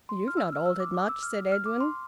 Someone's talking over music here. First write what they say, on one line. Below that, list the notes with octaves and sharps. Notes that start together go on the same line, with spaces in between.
"You've not altered much," said Edwin.
C6
F6
E6
F6
E6
D6
D6
E6
F6
F6
D6
C6